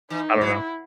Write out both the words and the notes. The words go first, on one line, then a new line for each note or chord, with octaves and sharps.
I don't know.
E3 D#4
F#3 E4